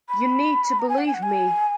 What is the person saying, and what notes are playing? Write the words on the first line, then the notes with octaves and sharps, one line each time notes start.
You need to believe me.
B5
A#5
G#5
F#5
G#5
F#5
G#5